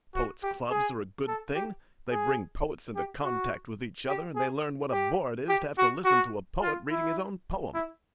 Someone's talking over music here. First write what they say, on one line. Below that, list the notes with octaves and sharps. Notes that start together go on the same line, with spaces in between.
Poets' Clubs are a good thing; they bring poets into contact with each other, and they learn what a bore it is to have to listen to a poet reading his own poem.
F#4
G4
G#4
A4
G4
G#4
G4
F#4
G4
G#4
G4
G4
F#4
F#4
F4
E4
E4